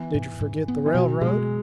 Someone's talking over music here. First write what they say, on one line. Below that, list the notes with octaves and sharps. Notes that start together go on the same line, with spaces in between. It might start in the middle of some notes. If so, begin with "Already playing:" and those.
Did you forget the railroad?
Already playing: E3 B3
G#2
G#2
B3
E3
B2 F#3
B2 G#3